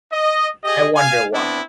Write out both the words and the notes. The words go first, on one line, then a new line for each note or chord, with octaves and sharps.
I wonder why.
D#5
G4 G#4 D#5
F5 G#5
B3 C4 D4 E4